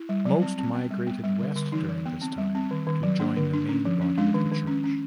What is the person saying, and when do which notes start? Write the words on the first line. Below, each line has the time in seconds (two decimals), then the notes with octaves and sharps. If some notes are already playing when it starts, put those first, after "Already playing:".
Most migrated west during this time to join the main body of the church.
Already playing: E4
0.09 G3
0.25 F#3
0.42 C4
0.59 C4
0.74 B3
0.91 G3
1.07 B3
1.24 G3
1.40 D3
1.56 D3
1.72 E3 D#4
1.89 E3
2.06 B3
2.22 C4
2.38 G3
2.55 C4
2.71 D#3
2.87 D#3
3.03 F#3
3.20 A#3 D4
3.37 D3
3.53 D4
3.69 C#4
3.85 F3
4.01 C#4
4.17 G#3 D4
4.34 D#3
4.51 D#3
4.67 C#4
4.84 C#4